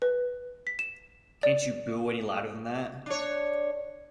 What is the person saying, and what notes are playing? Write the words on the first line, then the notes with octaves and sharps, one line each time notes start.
Can't you boo any louder than that?
B4
B6
E7
D5
D4 C#5